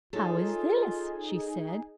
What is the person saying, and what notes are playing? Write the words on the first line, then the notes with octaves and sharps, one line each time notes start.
"How is this?" she said.
D#4 F4 G#4 A4 C#5